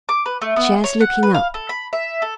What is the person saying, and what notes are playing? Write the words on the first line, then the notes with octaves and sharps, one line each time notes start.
Shares looking up.
D6
B4
A3
B3
C#5
F#5
B4
F5
A4
B5
E5
A4